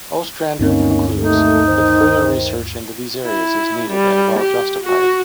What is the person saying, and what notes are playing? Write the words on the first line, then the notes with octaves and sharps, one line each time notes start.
Ostrander concludes that further research into these areas is needed and well justified.
D2 G2 A#3 C4 C#4 D#4
D#2 A3 D#4 A4
D#3 C5
E4
G3
G4
F#4